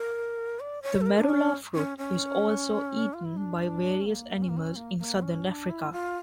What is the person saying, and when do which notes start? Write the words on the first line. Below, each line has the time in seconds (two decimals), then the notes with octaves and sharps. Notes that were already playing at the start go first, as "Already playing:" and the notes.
The marula fruit is also eaten by various animals in Southern Africa.
Already playing: A#4
0.60 D5
0.82 C#5
1.01 A4
1.06 A#4
1.19 D4
1.29 C#4
1.75 C#4
1.98 C#4
3.14 F4
3.25 E4
3.37 D4
4.01 C#4
4.07 A#3
4.42 C#4
4.49 A#3
4.57 C#4
4.76 A#3
4.99 A#3
5.22 C#4
5.46 D4
5.69 E4
5.92 F4